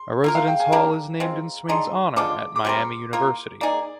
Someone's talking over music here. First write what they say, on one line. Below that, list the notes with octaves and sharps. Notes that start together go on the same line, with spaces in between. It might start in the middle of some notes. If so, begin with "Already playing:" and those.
A residence hall is named in Swing's honor at Miami University.
Already playing: C6
A#3 F4 A#4
F5
G5
G#5
A#3 D4 G4 A#4 A#5
G#3 C4 F4
D3 G#3 D#4 C6
D3 G#3 D4 F4 D6
D6
G3 C4 G4 A#4 C6
A#3 F4 A#4
A#3 D#4 G#4 D5